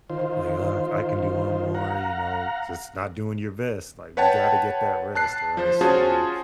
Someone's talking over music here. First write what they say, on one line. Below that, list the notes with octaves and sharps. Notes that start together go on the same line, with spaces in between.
Like, uh, "I can do one more," you know? Just not doing your best, like, you gotta get that rest or else you
D#3 F4 C5
F5 F#5 A#5
B4 C#5 F#5 G5 A5
A5 F#6 C7
F3 C5
C#4 F4 F#4 G#4 C5 A5